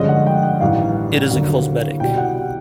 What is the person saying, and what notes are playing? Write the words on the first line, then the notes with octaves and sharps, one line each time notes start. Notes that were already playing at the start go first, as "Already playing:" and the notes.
It is a cosmetic.
Already playing: G2 D3 F3 G#3 C#4 D#5
F#5
G5
F#5
A1 G2 D#3 F5
D#2 D3 F#3 A#3
C2 B2 G3 G5
F#5